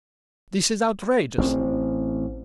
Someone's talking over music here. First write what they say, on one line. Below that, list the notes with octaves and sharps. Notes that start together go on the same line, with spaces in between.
This is outrageous!
A1 C4